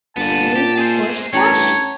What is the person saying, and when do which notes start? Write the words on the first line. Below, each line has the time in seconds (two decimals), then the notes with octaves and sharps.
Use horseflesh?
0.16 G1 A#2 B3 A5
0.56 A#2 G4
0.78 G#4 C5
1.33 A1 G2 C#5 G5 A5 A#5